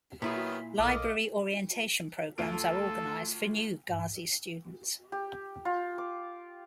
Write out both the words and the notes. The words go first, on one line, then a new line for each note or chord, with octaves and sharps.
Library orientation programs are organized for new Gazi students.
A#2 D#3 F#3 B3 E4 G#4 B6
B1 A4 A#4 D#5 F5 D6
D2 F4 A4 D7
G4
F4
D6